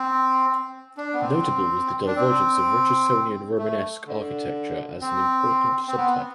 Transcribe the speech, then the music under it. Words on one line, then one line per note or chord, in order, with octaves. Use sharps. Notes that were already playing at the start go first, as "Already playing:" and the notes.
Notable was the divergence of Richardsonian Romanesque architecture as an important subtype.
Already playing: C4
D4
B3
C4
D4
C4
A3
D3
C4
C4
B3